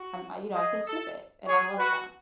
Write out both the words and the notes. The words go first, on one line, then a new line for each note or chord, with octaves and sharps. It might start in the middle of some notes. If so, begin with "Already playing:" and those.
I'm, you know I can skip it, and I love that,
Already playing: F#4
G#4 D#5
A4
G#4 C#5
F#4 B4